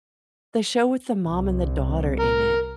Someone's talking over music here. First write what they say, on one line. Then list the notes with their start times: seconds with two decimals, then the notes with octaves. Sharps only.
the show with the mom and the daughter in it.
1.24 C2
2.19 A#4